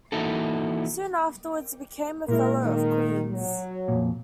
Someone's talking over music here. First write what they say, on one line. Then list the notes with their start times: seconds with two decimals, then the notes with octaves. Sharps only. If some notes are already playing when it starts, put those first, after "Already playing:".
Soon afterwards he became a Fellow of Queen's.
0.12 E3 A#3 D#4 E4 F#4 A4
2.28 F#2 A#2 G#3 E4 A#4
2.63 D#3
3.32 F#3
3.88 F2 A#2